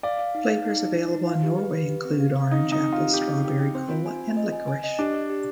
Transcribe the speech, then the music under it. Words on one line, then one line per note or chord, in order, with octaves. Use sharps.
Flavors available in Norway include orange, apple, strawberry, cola and licorice.
D5 F5
F5
D#4
F5
D#4
D#4
D#4
D#4
F4 F5
G4
B4
B4
G4
C4
F5
F5
C4 D#4
C4
D#4
C4
F4 G4
C4 G4
C4
C4 G4
G5
C4 C5
F4
G#5
F4
D#5
G#5
G#5
D#5
D4 G4
D5
G4